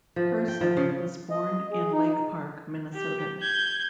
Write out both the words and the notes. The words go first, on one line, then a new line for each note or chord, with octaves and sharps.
Herseth was born in Lake Park, Minnesota.
F3
G5
F3
C#3
D#5
G#4
D#4
G4
G6 G#6